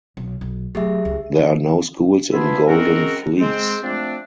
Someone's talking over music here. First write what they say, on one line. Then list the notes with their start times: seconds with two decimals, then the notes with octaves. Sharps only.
There are no schools in Golden Fleece.
0.17 B1
0.41 B1
0.75 F#3 A3 G4 G#4 E5
1.05 C#2
2.32 B3 D4 F4 G#4 E5 B5
2.68 G#3 C4 C#4 F#4 A#4
3.40 G#3 C4
3.83 F3 A3 C4 D4